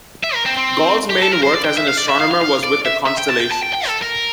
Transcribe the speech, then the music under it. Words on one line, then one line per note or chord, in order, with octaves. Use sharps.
Gall's main work as an astronomer was with the constellations.
E5
A#4
C4
C4
G4
A4
A#4
C5
D5
G5
E5
F5
D5
E5
F5
F5
F5
D5
E5
E5
G5
A5
G5
A5
G5
G5
A4
A#4